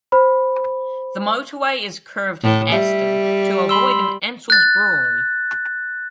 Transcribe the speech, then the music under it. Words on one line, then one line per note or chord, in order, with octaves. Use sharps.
The motorway is curved in Aston to avoid an Ansells brewery.
C5 B5
A2
G3 E5
B5 C6 E6
F#6 A6